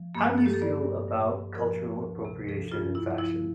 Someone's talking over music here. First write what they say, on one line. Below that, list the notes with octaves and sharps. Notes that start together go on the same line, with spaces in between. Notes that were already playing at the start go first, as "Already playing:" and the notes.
How do you feel about cultural appropriation in fashion?
Already playing: F3
G2 A#3
G2 A4
G4
A4
G2 D5
G2
G2
G2
F3 A#4
F3
D2
C3
F3 A4
G2 F4
G2 E4
F3 E4